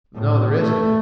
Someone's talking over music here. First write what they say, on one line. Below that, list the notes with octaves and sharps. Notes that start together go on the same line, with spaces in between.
"No, there isn't."
A2
A3